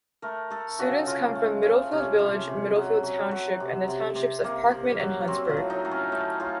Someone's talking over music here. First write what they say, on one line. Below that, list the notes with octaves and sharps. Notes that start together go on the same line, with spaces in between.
Students come from Middlefield village, Middlefield township, and the townships of Parkman and Huntsburg.
A3 A#4
A3 A4
C#3 F#4
C#3 F4
A3
C#3
C3 C#4
C3
C3
F#3
F#3
F#3
C3
C3
C3
C3 A#3
C3
F#3
F#3 C4
F4
A2
D#4
A2
C#4
A3 D#4
A2 F4